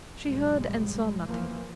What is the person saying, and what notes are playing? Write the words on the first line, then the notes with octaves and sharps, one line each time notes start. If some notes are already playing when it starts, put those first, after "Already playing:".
She heard and saw nothing.
F1 A2 C#3 G3 G#3
E3 F3 A#3